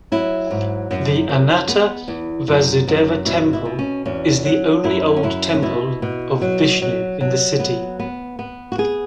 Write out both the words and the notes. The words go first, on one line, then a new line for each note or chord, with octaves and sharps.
The Ananta Vasudeva Temple is the only old temple of Vishnu in the city.
F#3 E4
G#2
F#2
F#2
B3
E2
F#2
F#2
B2 E4
E4
B2
C#4
E2 C#4
F#3
F#2 E4
C#4
F#2 E4
C#4
B2 E4
B2
F#3
F#3
F#3
B3
B3
B3
F#4
B3 G#4